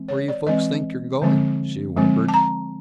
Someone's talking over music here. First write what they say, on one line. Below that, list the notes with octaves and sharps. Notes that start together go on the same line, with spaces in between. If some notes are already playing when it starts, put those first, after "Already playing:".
"Where you folks think you're going?" she whimpered.
Already playing: E3 G#3 C4
C#5
D5
E3 G#3 C4 D#5
D3 F3 G#3 C4
D3 F3 G#3 C4
A5
A#5